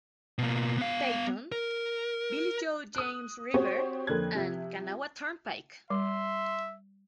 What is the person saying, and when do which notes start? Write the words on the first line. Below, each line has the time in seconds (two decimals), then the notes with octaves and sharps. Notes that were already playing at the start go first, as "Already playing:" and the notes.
Peyton, Billy Joe James River and Kanawha Turnpike.
0.38 B2 A#3
0.78 B3 F5
1.52 A#4
2.95 D#6 F#6
3.54 C4 F#4 G4 C5 C#5
4.07 F2 D3 A#3 F#6 G#6
4.35 C3 F3 E5
5.90 G3 E5 C6